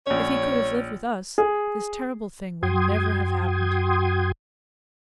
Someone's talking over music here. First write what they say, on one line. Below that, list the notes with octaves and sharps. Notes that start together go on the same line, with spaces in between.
If he could have lived with us, this terrible thing would never have happened.
A#1 C#4 C#5
G#4
F#2 F#4 G5 C6 D#6 G#6